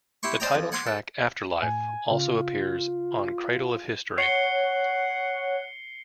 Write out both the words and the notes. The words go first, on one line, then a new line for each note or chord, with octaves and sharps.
The title track, "Afterlife", also appears on "Cradle of History".
E4 G4 C6 C#6
C5 D5 D#5 G5 A#5
F2
F#5 G#5 C6 D6
A4
A2 G#5
C#3 F4
C#5 F#5 C7 C#7 G7